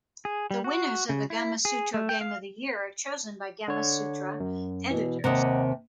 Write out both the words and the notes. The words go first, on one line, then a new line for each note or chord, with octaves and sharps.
The winners of the Gamasutra Game of the Year are chosen by Gamasutra editors.
G#4
G3
F#4
C#3
E4
G#4
A3
G5
F5
D3 C#5
F#2
B2 E3
D#2 C3 D#5 F#5 A#5